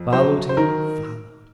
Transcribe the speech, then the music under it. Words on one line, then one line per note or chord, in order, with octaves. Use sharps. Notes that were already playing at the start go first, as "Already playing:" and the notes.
Followed him, followed.
Already playing: F2
F#3 C5
C5
D#3 A#4